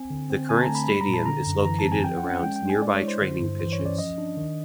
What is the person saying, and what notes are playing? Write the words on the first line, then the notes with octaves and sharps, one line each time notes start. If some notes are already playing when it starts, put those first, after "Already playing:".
The current stadium is located around nearby training pitches.
Already playing: C4 G#5
D3
C4
D3 G#5
A5
A#5
A3
B5
G3 B5
A#5
A#2
A5
D3 A#5
F#2
E3 A#5
A5
C4
G#5
F3 G5
F#5
C#4
F#5
G#3 G5
G5
D4
G#5
G#3 D5
C#5
E4
C5
D3
G2
E3 C5
C#5
C#4
D5
F3 D#5
D4
D#3